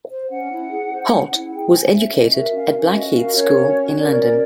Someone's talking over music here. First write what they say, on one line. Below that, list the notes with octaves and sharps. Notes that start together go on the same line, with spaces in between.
Holt was educated at Blackheath School in London.
C5
C#4 F#5
E4
G#4
C5
C#4
E4
G#4 G5
C5 G#5
C#4 E5
F#4 D#5
A#4 E5
C#4 F5
C#4
E5
F#4 D#5
A#4 F5
C#4 C#5
C#4
F#4
A#4 D5
C#5
C#4 D5